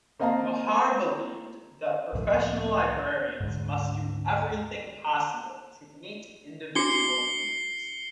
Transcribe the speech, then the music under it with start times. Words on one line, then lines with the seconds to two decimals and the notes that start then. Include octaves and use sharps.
Mahar believed that professional librarians must do everything possible to meet individual needs.
0.20 A#3 C4 D#5 F5 A5 A#5
2.13 C#2 A2 F3
3.40 D2 G#2
6.75 D4 F#4 D6 C7 C#7 G7